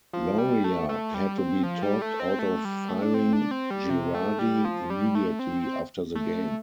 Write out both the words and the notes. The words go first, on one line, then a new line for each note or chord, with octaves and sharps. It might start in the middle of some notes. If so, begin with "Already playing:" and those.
Loria had to be talked out of firing Girardi immediately after the game.
F3
G3
A3
A3
G3
C4
F3
G3
A3
C4
A3
G3
A3
D4
C4
D4
C4
G3
C3
A3
G3
F3
G3
A3
C4
A3